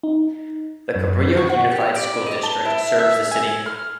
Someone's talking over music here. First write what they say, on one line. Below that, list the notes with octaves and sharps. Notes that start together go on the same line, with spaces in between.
The Cabrillo Unified School District serves the city.
D#4
F#2
C#6
F#5
G4
D5
D#5
A5
E4
E5
G#5
F6